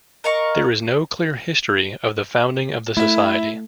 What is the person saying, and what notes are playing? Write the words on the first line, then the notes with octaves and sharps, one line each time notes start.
There is no clear history of the founding of the society.
A#4 D#5 F5 C#6
A3 E4 E5